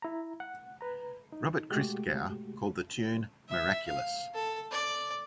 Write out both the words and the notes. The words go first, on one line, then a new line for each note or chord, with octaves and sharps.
Robert Christgau called the tune "miraculous".
E4 A#5
F#5
B4 A#5
D#4
B2 G#3 A3 F#4 G4
E5
F5
A4
D5